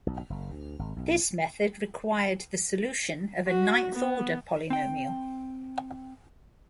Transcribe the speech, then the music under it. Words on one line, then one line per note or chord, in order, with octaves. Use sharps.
This method required the solution of a ninth order polynomial.
B1
F#1
D2
G#1
B1
F#4
B3
C4 G5